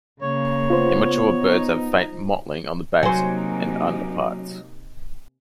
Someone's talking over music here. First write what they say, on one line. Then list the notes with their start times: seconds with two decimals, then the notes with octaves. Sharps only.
Immature birds have faint mottling on the back and underparts.
0.21 C#3 A#3 C#5
0.70 B3 F4 C5
1.39 D#4
3.03 C3 F#3 A#3 D#4 C5 G#5